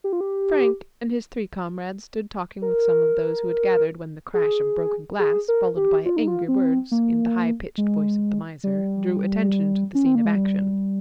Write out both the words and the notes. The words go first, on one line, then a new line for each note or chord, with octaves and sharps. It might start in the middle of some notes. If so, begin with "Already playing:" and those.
Frank and his three comrades stood talking with some of those who had gathered when the crash of broken glass, followed by angry words in the high-pitched voice of the miser, drew attention to the scene of action.
G4
F4
G4
A#4
G#4
G#4
A#4
G4
F4
D#4
F4
C4
A#3
G#3
G3
C#4
C4
A#3
G#3
G3